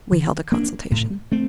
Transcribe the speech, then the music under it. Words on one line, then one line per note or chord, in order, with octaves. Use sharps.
We held a consultation.
D#3
A#3 D4
A2
A3 C4